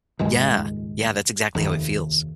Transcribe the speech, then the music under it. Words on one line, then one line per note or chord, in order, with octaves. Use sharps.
Yeah. Yeah, that's exactly how it feels.
D#1 C#2 G#2 G#3
F1 D#2